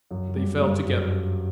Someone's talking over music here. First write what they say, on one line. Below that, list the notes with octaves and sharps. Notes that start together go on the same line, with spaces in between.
They fell together....
F#2 F#3
F#3
G2 G3
G2 G3
F#2 F#3